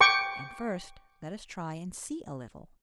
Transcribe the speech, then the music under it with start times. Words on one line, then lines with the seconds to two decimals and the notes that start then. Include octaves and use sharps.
And first let us try and see a little.
0.01 G5 C#6 D6